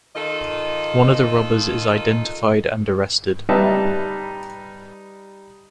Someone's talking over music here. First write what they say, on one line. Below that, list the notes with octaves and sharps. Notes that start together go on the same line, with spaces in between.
One of the robbers is identified and arrested.
D#3 F4 A4 D#5
G3 D#4 B4 E5 A5